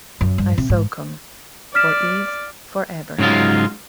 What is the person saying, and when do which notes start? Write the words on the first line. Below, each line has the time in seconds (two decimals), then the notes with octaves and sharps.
Isokon: For Ease, For Ever.
0.21 F#2
0.38 G2
0.58 C3
0.70 G#2
1.75 D5 F6 B6 E7
3.19 G#2 C#3 F#3 G#3 F4